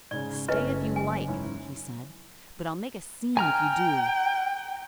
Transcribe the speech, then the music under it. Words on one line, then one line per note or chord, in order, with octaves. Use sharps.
"Stay if you like," he said, "but I'll make a scene if you do."
G#2 C#3 C#4 D5
F#1 A3 C#4 D#4 E4 B4 D#5
G#5
G#2 C#4 E4
G5 G#5 A#5 F6